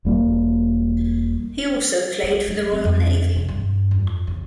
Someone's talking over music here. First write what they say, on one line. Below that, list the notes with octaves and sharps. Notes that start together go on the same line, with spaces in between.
He also played for the Royal Navy.
E1 G3 A#3
C#4
F#3
C4
F2
C3
G2
F2
C#3